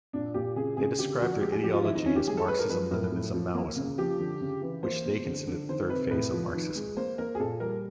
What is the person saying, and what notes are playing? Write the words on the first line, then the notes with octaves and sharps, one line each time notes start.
They describe their ideology as "Marxism-Leninism-Maoism" which they consider the third phase of Marxism.
A#2 D4
A#2 G4
C#3 G#4
C#3 G#4
D3 G4
F3 F#4
G#3 G4
G#4
F3 G4
F4
D#3 E4
D#4
D#3 C#4
G4
G#3 G#4
A4
G#3 B4
A#4
F3 B4
A2 A#4
A2
F3
A#3
C#3
F3 G4
D3
C#3
E3
A#3 C5
B2
D3
D3
D#3 C5
C3 B4
A2 B4
F3
D#3
G#3
A#3 C5
A#3 A#4
G#4
A#2 A4
G3 A#4